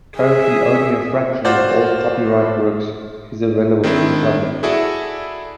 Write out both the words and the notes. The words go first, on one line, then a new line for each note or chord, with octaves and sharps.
Currently only a fraction of old copyrighted works is available to the public.
G#4 E5
F4 F#4 C5 D5
D#3 C4 D4 E4
E4 F#4 G#4 A4 D5 E5